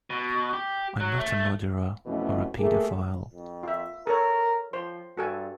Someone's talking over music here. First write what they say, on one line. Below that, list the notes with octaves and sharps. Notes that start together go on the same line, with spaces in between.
I'm not a murderer or a paedophile.
B2
G4
F#3
A3
F2 B2 E3 F3 A3 C#4
A3 A#3 G4 G#4
F2
F4 E5
A4 A#4 C#5
F3 C5 C6
G2 F#4 A4 G#5